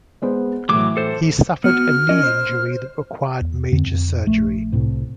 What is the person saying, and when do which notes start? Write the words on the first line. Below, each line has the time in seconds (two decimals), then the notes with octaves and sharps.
He suffered a knee injury that required major surgery.
0.22 G#3 B3 C5
0.69 A2 E3 F#3 D6
0.97 A4 C5
1.64 B3 F#4 F6
2.09 C#4 A#4 D#5
2.23 C5
3.41 E2
3.72 F2 D3 C4
3.86 F2
4.26 A#1 A3
4.72 C2 A2 C3